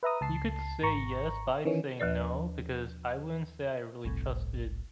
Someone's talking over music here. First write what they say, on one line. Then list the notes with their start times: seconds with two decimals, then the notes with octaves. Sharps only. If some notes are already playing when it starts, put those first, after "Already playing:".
You could say "yes," but I'd say "no" because I wouldn't say I really trusted,
0.03 B4 E5 A#5 D#6
0.21 C#2 A5 C7
0.83 G#1 A#5 C#6
1.65 D#3 E3 C#4
2.00 D#2 F3 B4 D5
4.04 G1 C2 A2